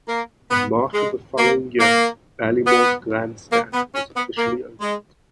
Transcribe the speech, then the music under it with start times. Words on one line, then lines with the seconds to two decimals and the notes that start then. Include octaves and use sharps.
In March of the following year Ballymore's grandstand was officially opened.
0.08 A#3
0.51 B3
0.94 G#3
1.37 A#3
1.80 A#3
2.66 B3
3.51 A#3
3.73 B3
3.95 C#4
4.16 B3
4.37 A#3
4.81 G#3